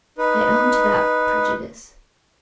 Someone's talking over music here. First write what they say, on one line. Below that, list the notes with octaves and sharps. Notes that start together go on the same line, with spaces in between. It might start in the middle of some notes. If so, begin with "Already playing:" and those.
I own to that prejudice.
D#4 B4